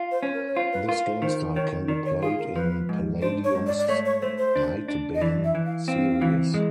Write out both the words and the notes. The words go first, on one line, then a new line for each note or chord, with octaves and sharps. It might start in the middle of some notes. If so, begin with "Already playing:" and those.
This game style can be played in Palladium's "Nightbane" series.
Already playing: F4
C5
C#4
A#4
C#5
F4 C5
B4
F4 A#4
C5
D#3 C5
D#3 C#5
D#3 D5
C#5
F4 G#4
A#4
F3 B4
G#2
D4 C5
C#5
G#2
D5
D5
A3 C#5
C#5
A3 C5
C5
D4
D4
D#5
E3 D5
E5
E3
F5
C4 F5
E3
G#3